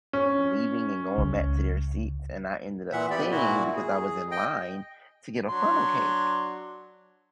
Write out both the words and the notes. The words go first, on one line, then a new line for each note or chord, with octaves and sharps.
leaving and going back to their seats, and I ended up staying, because I was in line to get a funnel cake.
C#4
C#2
A#2 E3 E5 F#5
B3 G4 D5 B5
A#2 E4 F#4
G#4
D#5 G5
F#3 D4 C6